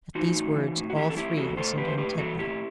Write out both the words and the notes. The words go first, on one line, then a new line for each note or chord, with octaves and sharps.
At these words all three listened intently.
E3 D#4 F#4
A2
E3
A2
F#4
E3 E4 G4
A4
A2 E4 G4
E3 F#4 A4
A2 A4 C5
E3 G4 B4
C5
A2 G4 B4
E3 F#4 A4
A2 E4 G4